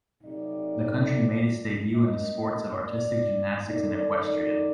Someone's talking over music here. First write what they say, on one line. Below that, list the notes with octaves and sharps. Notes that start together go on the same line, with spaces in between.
The country made its debut in the sports of artistic gymnastics and equestrian.
C3 F#3 A3 D#4 D5
F#2 F#3 A#3 D#5
D5
F#2 D#3 A3 D#4 D5
D5
D5